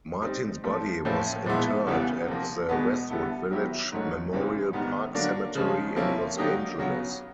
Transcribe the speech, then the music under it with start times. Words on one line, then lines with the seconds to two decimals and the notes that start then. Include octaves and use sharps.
Martin's body was interred at the Westwood Village Memorial Park Cemetery in Los Angeles.
0.22 G3 C4 D#4
0.64 F3 A3 C4
1.05 A2 F3 A#3 C#4 E4
1.46 A#2 F3 G#3 B3 E4
1.87 E2 C#3 E3 G3 B3
2.27 C3 F3 A#3
2.69 E2 B2 G#3 B3
3.10 D3 G3 B3 E4 A4
3.50 D#3 F#3 B3 E4 G4
3.92 G#2 D#3 F#3 A3 C#4
4.33 F#2 C#3 E3 G#3 C4
4.73 G#2 D#3 G3 B3
5.15 D3 F#3 A#3 D4
5.55 C#3 F3 G#3 C#4
5.96 C3 F3 A#3 C#4 E4
6.37 D3 F#3 A#3 D#4 G4
6.79 C#3 F#3 B3